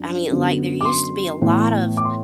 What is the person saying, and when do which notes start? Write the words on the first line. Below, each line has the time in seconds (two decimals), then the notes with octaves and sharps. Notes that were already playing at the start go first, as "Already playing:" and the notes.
I mean, like, there used to be a lot of
Already playing: F#2 D4
0.30 F#2 D3 F#3 B3
0.81 D6
0.85 C6
1.42 A2 E3 B3
1.97 D6
2.05 C6